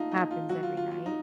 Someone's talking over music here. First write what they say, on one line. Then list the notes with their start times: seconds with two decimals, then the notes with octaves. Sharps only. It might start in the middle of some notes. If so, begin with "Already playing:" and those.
happens every night,
Already playing: A3 D#4 F4
0.11 D#4
0.31 F4
0.49 F#3 F#4
0.63 F4
0.77 F4
0.91 F4
1.06 D#4